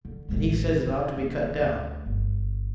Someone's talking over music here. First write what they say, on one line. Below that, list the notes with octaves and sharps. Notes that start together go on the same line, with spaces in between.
And he says it ought to be cut down.
D3
A1 G#3
D#4
F#1
D2
G1